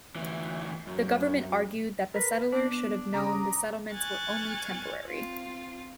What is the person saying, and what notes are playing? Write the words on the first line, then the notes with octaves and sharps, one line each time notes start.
The government argued that the settlers should have known the settlements were only temporary.
D2 E3
F#2
A#4 B4
B3 D4
C#3 A#5 D6 D#6
G#5 C#6 F6 F#6 G#6 A6
C4 F4